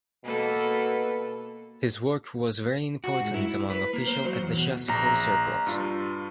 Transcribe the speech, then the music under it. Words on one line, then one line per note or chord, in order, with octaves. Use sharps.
His work was very important among official ecclesiastical circles.
B2 A#3 A4 B4
F#4
G#2
E4
B4
A#3
C5
F#3
E2
B2
A#1 A#5
G2 F4